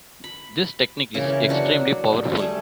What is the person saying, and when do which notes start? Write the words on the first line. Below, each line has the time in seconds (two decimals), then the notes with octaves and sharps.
This technique is extremely powerful.
0.24 B5
1.14 C#3 E3 A#3
1.49 F#3 D4 F#4
2.37 G3 A3 G#4